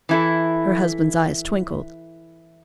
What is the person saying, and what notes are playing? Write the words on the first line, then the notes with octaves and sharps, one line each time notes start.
Her husband's eyes twinkled.
E3 E4 A4